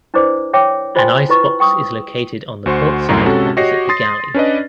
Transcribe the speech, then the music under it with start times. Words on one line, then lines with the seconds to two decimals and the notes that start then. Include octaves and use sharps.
An ice box is located on the port side opposite the galley.
0.14 D4 E4 B4 C5 D5 D6
0.53 C#5 E5 G5 D6
0.95 F4 C5 D#5 G5 G#5 C6
1.29 E4 F4 B4 D#5 C#6
1.60 G5 C#6 D#6 E6
2.66 D2 F#4 C5 C6 C#6
3.08 C2 F#2 A2 A#5 C6
3.25 C3 G#3 C#4 F#4 A4
3.57 F#4 G4 C#5 D#5 A#6 C7
3.89 C6 D#6 A6 A#6 C7
4.34 C#4 D4 B4 D5 D#5